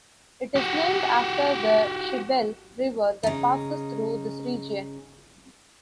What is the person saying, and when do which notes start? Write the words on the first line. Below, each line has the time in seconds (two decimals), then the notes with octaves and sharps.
It is named after the Shebelle River that passes through this region.
0.56 F#4 G4
3.23 C#3 D#4